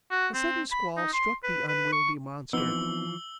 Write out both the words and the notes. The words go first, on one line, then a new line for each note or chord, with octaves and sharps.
A sudden squall struck the unwieldy monster.
F#4
C4
B5
D#4
C6
B4
B4
C#6
E3 F3 B3 C4 D#4 E6 G7